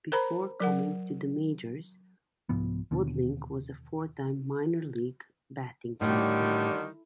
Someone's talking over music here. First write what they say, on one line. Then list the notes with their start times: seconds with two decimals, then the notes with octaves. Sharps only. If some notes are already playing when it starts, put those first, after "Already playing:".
Before coming to the majors, Woodling was a four-time minor league batting champion.
0.12 A#4 C5 A#5 B5
0.60 F#3 A#4 F#5
2.49 C2 G#2 F3 B3
2.91 D#2 B2 D3
6.01 A2 D3 D#3 G3